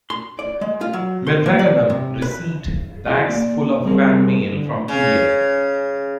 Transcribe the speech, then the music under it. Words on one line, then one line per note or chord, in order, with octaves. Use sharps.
Mylvaganam received bags full of fan mail from India.
C6
D5
G#3
F4
F#3
C6
A#3
D5
C3
B4
E4 F#4 G#4 C5 D#5 F5
A#3 D5
G3 C4 G#4 A#4
D3
C#3